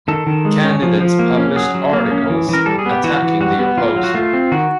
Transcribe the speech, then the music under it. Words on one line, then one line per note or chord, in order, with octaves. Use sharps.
Candidates published articles attacking the opposer.
D#3 A4
D#3
G#3
C#4
F3
F3
A#3
C#4
F#3 G#4
F#3
A#3
C#4
E3
E3 A#4
G3 A4
G#4
B3
G4
E3 F#4
E3
G3 F#4
B3
F#3 F4
F#3
F#4
A3 F4
C4
D#3 F#4